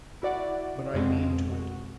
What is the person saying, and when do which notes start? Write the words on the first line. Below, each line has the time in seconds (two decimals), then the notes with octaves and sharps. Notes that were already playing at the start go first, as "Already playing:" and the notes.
But I mean to it.
0.22 E4 F#4 D5 F#5
0.94 F2 B2 G#3 C4
1.52 F#4